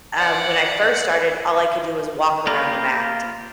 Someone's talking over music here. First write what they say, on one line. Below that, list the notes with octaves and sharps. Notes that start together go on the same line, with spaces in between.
um, when I first started, all I could do was walk around the mat,
D5 F#5
A#3 F4 G4 A#4 B4